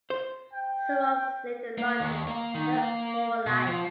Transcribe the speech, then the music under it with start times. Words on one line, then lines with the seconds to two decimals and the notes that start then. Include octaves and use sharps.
Soames lived in London her whole life.
0.10 C5
0.53 G5
1.78 A#3
2.00 D#2
2.27 A#3
2.55 D#3
2.75 A#3
3.46 B2
3.67 F3